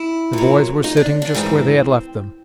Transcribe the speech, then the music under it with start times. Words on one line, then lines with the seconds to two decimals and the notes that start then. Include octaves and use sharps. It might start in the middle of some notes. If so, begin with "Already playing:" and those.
The boys were sitting just where they had left them.
Already playing: E4
0.33 A#2 F#3
0.84 D#4
0.97 D4
1.22 D4
1.35 G#2 E3 C4